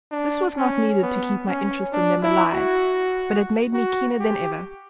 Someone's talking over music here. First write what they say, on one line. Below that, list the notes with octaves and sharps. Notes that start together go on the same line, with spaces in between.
This was not needed to keep my interest in them alive, but it made me keener than ever.
D4
C#4
B3
C#4
D4
E4
F#4
F#4
G4